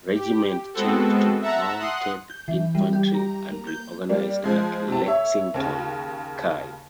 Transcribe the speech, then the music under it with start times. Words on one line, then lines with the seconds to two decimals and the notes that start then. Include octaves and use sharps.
Regiment changed to mounted infantry and reorganized at Lexington, Ky.
0.15 G4
0.74 G#3 B3 C4 F#4 A4
1.41 E5 F#5 A5 A#5 E6
1.79 F#5 C6 D#6 F#6
2.30 G6
2.48 E3
2.75 G3
2.93 G4
3.14 A#5
3.52 A#3
3.67 G6
4.09 G3 A#3 D4
4.44 F3 G#3
4.88 C3 A5
5.06 C#5 E5
5.54 D#2 C#3